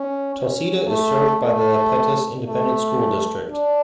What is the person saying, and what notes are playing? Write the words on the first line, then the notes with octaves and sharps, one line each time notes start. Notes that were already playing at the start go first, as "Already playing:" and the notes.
Tulsita is served by the Pettus Independent School District.
Already playing: C#4
C#4
A3
A3
A3
D4